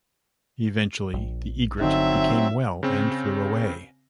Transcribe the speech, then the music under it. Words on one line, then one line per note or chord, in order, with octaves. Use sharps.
Eventually the egret became well and flew away.
A#1
G1 D3 F#3 C4 D#4 E5
C#3 C4